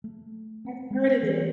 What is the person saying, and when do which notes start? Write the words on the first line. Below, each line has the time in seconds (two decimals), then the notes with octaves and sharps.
I've heard of it.
0.04 A3
0.65 C4
0.91 G#3
1.23 E3